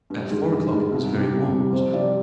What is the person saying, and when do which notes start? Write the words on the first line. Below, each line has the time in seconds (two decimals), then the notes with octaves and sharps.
"At four o'clock--it was very warm, wasn't it?"
0.10 G2
0.30 D#3 G#3
0.51 G2
0.71 D#3 G#3
0.92 C2
1.12 C3 G3
1.32 C2
1.52 C3 G3
1.73 F2 C5
1.93 C3 G3 D5